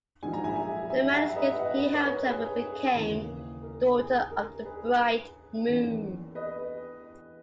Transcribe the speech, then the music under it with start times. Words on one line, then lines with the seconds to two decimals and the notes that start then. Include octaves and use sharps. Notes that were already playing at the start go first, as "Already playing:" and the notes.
The manuscript he helped her with became "Daughter of the Bright Moon".
0.23 A#1 G#2 D#3 F#3 G#5
0.33 A#5
0.44 E5 G#5
0.56 E5 G#5
0.90 E5 G#5
1.13 F#5 A#5
1.28 E5
1.36 B4 D#5
1.59 D#5 F#5
1.84 B4
1.93 A#4 C#5
2.26 G#4 B4
2.61 G#4
2.94 D#2 C#3 E3 A#3
3.62 A#4
3.98 G#4
4.31 A#4
4.65 G#4 B4
5.68 E2 D#3 A#3 C#4
6.35 B4 D#5